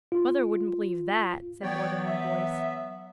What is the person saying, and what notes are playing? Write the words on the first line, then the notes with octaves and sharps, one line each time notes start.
'Mother wouldn't believe THAT,' said more than one voice.
F4
E3 F#3 B3 C#5 D5 G5
E5